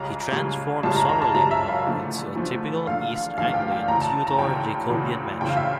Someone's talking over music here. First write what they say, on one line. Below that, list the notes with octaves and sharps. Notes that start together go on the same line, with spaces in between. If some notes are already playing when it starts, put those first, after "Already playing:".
He transformed Somerleyton Hall into a typical East Anglian Tudor-Jacobean mansion.
Already playing: C#2 C#3 G3 A#5
C#2 C#3 G3
C#2 C#3 G3 A5
A#5
A#5
A5
C#2 C#3 G3 A#5
E5
F5
E2 D3 F3 A3
E2 D3 F3 A3
E2 D3 F3 A3 F5
E2 D3 F3 A3 F5
G5
G5
D2 C#3 E3 A#5
A5
A#5
D2 C#3 E3 G5
D2 C#3 E3
D2 C#3 E3 G5
F5
E5